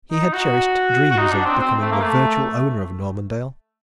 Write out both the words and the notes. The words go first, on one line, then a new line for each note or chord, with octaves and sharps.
He had cherished dreams of becoming the virtual owner of Normandale.
D#4
F#4
F#4
D#4
D4
C4
C4
A3
A#3
A3